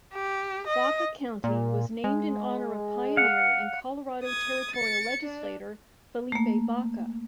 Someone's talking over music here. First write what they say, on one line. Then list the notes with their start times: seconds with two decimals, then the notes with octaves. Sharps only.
Baca County was named in honor of pioneer and Colorado territorial legislator Felipe Baca.
0.14 G4
0.67 D#5
1.44 A#2
2.04 G#3
3.17 F5 F#5
4.23 D#6 G#6
4.74 A6 C#7
5.23 D4
6.32 A3 A#3